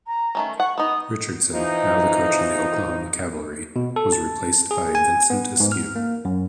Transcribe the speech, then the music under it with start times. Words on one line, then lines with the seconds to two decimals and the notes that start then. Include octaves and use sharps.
Richardson, now the coach of the Oklahoma Cavalry, was replaced by Vincent Askew.
0.07 A#5
0.35 D#3 A3 C#4
0.60 F#5 C#6
0.78 B3 D#4 D#6
1.53 E3 F3 D#4
3.76 B2
3.96 A4
4.13 A5
4.71 G#4
4.95 G#5
5.30 B3
5.60 G#2
5.72 F6
5.96 A#3
6.25 F#2